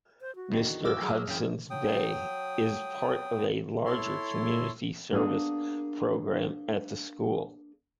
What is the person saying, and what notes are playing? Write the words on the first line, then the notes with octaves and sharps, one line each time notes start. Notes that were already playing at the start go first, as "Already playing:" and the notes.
Mr. Hudson's Bay is part of a larger community service program at the school.
C5
F#4
E2 D3 D#3
D#5 D6 E6
F#3 G#4 F6
F#2 C#3 E3 G5
F#3 G5 D#6
E4 A4 C#5 C6
A#3 B3 D4 G#4 A#4